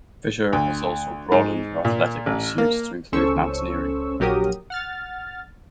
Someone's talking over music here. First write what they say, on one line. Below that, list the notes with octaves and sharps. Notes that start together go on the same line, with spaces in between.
Fisher has also broadened her athletic pursuits to include mountaineering.
D2
G#2
A#2
A1
A#3
C#2 C#4 A4 C5 C#6 E6
A#1 F#3 G4 A#4 D#6
F#5 F6 A6